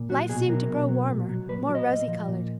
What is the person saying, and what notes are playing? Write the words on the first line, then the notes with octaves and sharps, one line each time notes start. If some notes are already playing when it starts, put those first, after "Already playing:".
Life seemed to grow warmer, more rosy colored.
Already playing: A#2
F#3 F#4
B2 G#4
F#3 A#4
B2
F#3
A#2
F#3
A#2 B4
F#3
D#5
A#2
F3
A#2